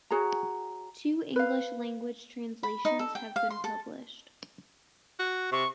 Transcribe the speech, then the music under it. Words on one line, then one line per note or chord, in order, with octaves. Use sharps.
Two English language translations have been published.
F#4 G#4 C#5 A#5
B4 F5
B5
D#4
A4
G5
F5
C6
A4
F#4
C3 C#6